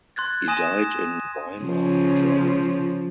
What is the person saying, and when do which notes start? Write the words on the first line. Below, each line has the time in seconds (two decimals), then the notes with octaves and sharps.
He died in Weimar, Germany.
0.16 C6 F#6 G#6 A6
0.48 G#5 C6 D#6 A#6 D#7 E7
1.62 C#3 F3